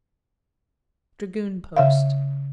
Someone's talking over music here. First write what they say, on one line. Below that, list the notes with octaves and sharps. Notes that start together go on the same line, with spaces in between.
Dragoon post.
C#3 E5 F5